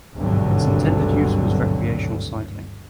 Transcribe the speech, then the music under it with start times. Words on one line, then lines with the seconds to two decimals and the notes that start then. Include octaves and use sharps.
Its intended use was recreational cycling.
0.17 G#1 D2 G2 B2 D3 F#3